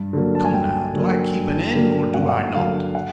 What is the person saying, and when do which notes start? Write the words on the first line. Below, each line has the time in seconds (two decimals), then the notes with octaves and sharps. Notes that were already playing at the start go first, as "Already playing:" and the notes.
Come now, do I keep an inn, or do I not?
Already playing: G2
0.13 D3 F#3 A#3
0.35 A5
0.45 G#5
0.54 G2 G5
0.94 D3 F#3 A#3
1.35 G2
1.74 D3 F#3 A#3
2.14 G2 F#5
2.22 F5
2.29 F#5
2.54 D3 F#3 A#3 F5
2.95 F#5